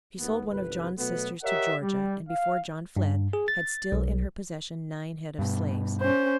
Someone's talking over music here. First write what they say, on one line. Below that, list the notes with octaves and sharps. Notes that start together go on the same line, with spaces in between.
She sold one of John's sisters to Georgia, and before John fled, had still in her possession nine head of slaves.
D#2 B3
G1 C2 B4
B2 F#3 A3 B3
G4 A#4 C#5 D#5 E5 F#5
G3
F5
G2
G#4
A6
B1
G2 B2
C#4 C5